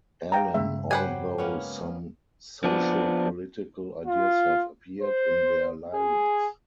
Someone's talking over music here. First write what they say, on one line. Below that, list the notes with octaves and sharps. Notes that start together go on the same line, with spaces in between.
Allin, although some socio-political ideas have appeared in their lyrics.
F5 G5 A#5
G2 C#3 G#3 E5
F#3 G4 B4 C5 F#5 G#5
A#3 B3 C#4
F3 B3 D4
F4
C5
G#4